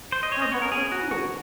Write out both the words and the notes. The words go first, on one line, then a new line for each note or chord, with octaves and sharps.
Oh, that's so cool.
C5
D#5
C#5
D#5
C#5
A#4
G#4
F#4
F#4